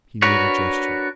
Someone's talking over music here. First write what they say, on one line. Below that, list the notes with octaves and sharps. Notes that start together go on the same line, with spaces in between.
He made a gesture.
D4 F#4 A#4 B4 C#5